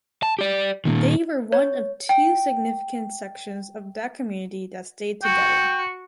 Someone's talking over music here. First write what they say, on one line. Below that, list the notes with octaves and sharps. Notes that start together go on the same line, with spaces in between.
They were one of two significant sections of that community that stayed together.
A5
G4 D5
A#2 D#3
C#5
G5
F#4 G5 C#6